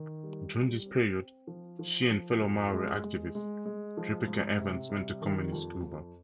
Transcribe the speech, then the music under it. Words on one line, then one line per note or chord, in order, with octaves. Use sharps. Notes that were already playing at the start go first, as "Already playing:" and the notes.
During this period she and fellow Maori activist Ripeka Evans went to Communist Cuba.
Already playing: D#3
G3
G3
C4
C4
F3
F3
F3
F2
G#3
G#3
G#3
G#3
F3
G#2
C3
G3
D#3
F2
F2